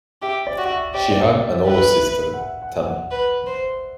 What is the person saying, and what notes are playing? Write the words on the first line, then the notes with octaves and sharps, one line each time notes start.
She had an older sister, Tammy.
G4 E5
D5
F#4
E5
G4 D5
D5
E5
E5
B4 E5
F#5
E5
F#5
F#5
B4
C5